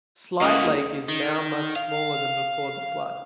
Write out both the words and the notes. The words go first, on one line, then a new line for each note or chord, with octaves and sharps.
Slide Lake is now much smaller than before the flood.
C#2 A#3 F#4 D#5 D#6
D#2
D#3
F5